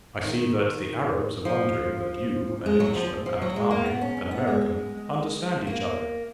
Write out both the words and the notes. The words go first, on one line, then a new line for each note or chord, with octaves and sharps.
I see that the Arabs are wondering that you, an Englishman, and I, an American, understand each other.
D#3
F3
G#3
F#3
F3
F3
F#3
G#3
A#3
B3
C#4
C#4
B3
G#3
A#3